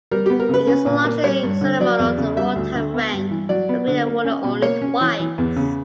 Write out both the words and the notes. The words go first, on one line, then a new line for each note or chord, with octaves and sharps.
It is a largely ceremonial or wartime rank, having been awarded only twice.
G3 A#4
B3 G4
A#4
C#3 B4
C#4
A#2
A#3
G3 C#5
G2
D3
F#3 D5
E2
C#3
G3 E5
D2
D3
B3
G2
E3
F#3 D5
B3
D3
A#3
C#4
B2
A#3 C#5
C#4
E3
E3
E2
C#3